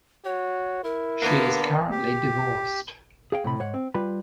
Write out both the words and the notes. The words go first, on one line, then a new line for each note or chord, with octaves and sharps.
She is currently divorced.
F#4 C#5
E4 A#4
D3 A#3 B3
G4
G#4 F5 G5
A2 C3 B5
G#2 C#5 F#5
C4
G3 F4 B4 B5